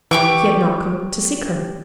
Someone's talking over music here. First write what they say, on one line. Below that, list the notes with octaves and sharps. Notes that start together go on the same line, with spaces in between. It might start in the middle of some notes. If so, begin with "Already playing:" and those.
He had not come to seek her.
E3 G4 C#6 D6